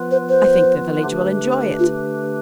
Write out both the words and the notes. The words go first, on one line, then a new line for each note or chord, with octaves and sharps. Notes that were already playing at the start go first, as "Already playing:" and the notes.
"I think the village will enjoy it."
Already playing: F3 B3 F4 B4
C5
C5
D3 A3 D4 G4 B4
F4